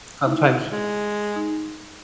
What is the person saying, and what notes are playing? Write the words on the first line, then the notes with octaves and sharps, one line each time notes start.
sometimes, you
A3 D#4 E4
G#3
D#4